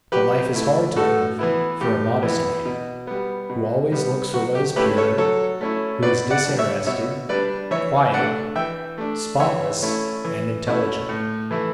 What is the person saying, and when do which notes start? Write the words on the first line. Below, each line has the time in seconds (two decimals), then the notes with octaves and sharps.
But life is hard to live for a modest man, who always looks for what is pure, who is disinterested, quiet, spotless, and intelligent.
0.12 F#3 G4 B4
0.55 A3 E4
0.96 A2 F#4 A4
1.39 E3 B3 E4
1.81 A2 G4
2.23 E3 B3 E4
2.65 B2
3.07 G3 B3
3.49 B2
3.92 G3 B3
4.34 F#3 F#4
4.55 G4
4.76 A3 C#4 E4 G4 B4
4.97 A4 C#5
5.18 F#3 A4 C#5
5.61 A3 C#4 E4
6.03 B2 B4 D5
6.30 D5 F#5
6.45 G3 D4
6.59 C#5 E5
6.87 B2 C#5 E5
7.29 G3 D4 B4 D5
7.71 E3 C#5 E5
8.13 A3 D4 D5 F#5
8.56 E3 E5 G5
8.98 A3 D4
9.40 E3 C#5 E5
9.82 A3 C#4 E4
10.25 E3
10.67 A3 C#4 E4
11.09 A2
11.51 E3 A3 E4